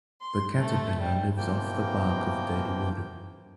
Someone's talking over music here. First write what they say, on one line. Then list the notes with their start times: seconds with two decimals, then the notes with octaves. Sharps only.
The caterpillar lives off the bark of dead wood.
0.22 C6
0.58 A3
1.00 G3
1.37 D#2 B2 E3 F3 A#3 G5